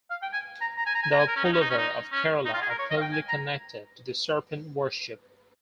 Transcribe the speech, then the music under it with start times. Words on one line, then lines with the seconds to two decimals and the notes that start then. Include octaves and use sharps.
The pulluvar of Kerala are closely connected to the serpent worship.
0.10 F5
0.22 G5
0.33 G#5
0.61 A#5
0.78 A#5
0.86 G#5
0.95 A#5
1.03 G#5
1.11 A#5
1.19 G#5
1.27 A#4
1.36 C#4
1.44 D#4
1.53 C#4
1.61 D#4
1.70 C#4
1.78 D#4
2.12 C#4
2.46 D#4
2.53 F4
2.62 G#4
2.70 A#4
2.79 C#5
2.90 D#5
2.97 F5
3.01 G5
3.13 G#5
3.29 A#5